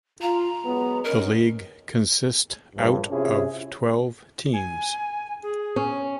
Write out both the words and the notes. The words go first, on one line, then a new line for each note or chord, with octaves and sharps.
The league consist out of twelve teams.
F4 A#5
F#3 G#3 B3
B3 C#4 A#4 D#5
A#1 G2
C3 C#4 E4 F4 G#4
G#5
G#4
C#4